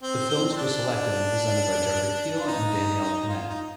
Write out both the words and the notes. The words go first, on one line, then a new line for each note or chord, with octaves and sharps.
The films were selected and presented by Jeffrey Keil and Danielle Pinet.
C4
C4
C4
D4
F4
D#4
F4
D#4